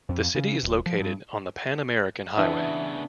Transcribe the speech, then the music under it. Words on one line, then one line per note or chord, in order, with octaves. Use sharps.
The city is located on the Pan-American Highway.
F2
C#3
D#1
F3
G2
C#3 E3 B3 D4 E5 D#6